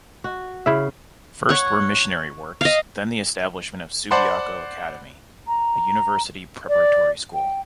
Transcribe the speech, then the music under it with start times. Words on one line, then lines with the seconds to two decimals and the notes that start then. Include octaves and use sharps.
First were missionary works, then the establishment of Subiaco Academy, a university-preparatory school.
0.24 F#4
0.66 C#3 E4 E5
1.49 C#5 F#5
2.61 D#5 F5
4.11 C5 D5 F#5 A5 B5 C6
5.48 A#5
6.69 D5
7.34 G5